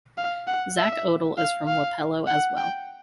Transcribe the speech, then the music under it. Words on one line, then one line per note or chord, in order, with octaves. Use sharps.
Zach Odle Is from Wapello as well.
F5
F#5
E5
F5
F5
F#5
G5